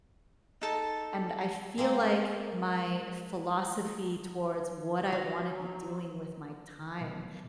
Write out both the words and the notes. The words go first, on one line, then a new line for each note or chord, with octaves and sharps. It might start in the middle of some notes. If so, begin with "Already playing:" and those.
and I feel like my philosophy towards what I wanna be doing with my time
D#4 A4 A5
G#3 A#3 C4 A#4
F#3
B1